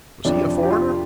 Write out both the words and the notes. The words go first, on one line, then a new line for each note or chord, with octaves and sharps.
Was he a foreigner?
F2 C3 F3 D4
G4
F4